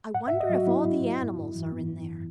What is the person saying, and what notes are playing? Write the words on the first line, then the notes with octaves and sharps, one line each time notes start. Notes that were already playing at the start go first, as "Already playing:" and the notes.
"I wonder if all the animals are in there."
G#2 F#5
E5
G#2
D#5
F#3 F#4
B3 E4
G#2
G#2
F#2
F#2
E3
B3
F#2